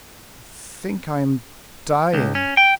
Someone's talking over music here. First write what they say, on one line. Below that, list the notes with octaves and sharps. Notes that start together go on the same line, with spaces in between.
"I think I'm dying."
C#2
C#4
G5